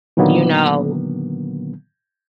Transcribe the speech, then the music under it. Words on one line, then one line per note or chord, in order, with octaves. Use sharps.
you know,
A#2 D3 D#3 F#3 A#3 B3